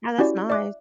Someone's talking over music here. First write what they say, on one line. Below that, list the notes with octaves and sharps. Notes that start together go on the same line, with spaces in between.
No, that's nice.
C#4 E4 F#4 G4 D5
D5 E5 D6 F#6